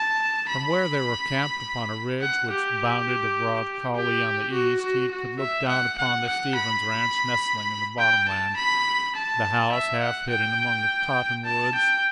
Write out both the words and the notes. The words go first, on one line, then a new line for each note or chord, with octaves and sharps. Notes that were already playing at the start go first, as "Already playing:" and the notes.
From where they were camped upon a ridge which bounded a broad coulee on the east, he could look down upon the Stevens ranch nestling in the bottomland, the house half hidden among the cottonwoods.
Already playing: A5
B5
F#5
G4
G4
F#4
F#4
F#4
E5
F#5
F#5
F#5
B5
G5
A5
B5
A5
E5
F#5
G5
A5
G5